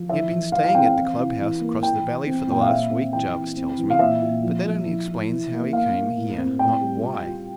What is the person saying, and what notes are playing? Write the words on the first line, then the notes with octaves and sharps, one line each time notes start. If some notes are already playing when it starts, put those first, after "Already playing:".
He had been staying at the club-house across the valley for the last week, Jarvis tells me, but that only explains how he came here, not why.
Already playing: F3
E3 E5
E3
E3 F5
F5
C4 G5
F5
E3
E4
E3
A#3
E3 G5
E3
C4
A#2 G5
F5
A#2 E5
C4
E3 G5
E4
C4
E3
F5
A#2 E5
A#2
F3
F3
E4
E4
E3
A#3
A#3 F5
A#3
A2
C4
A2 G5
G3
F4
F4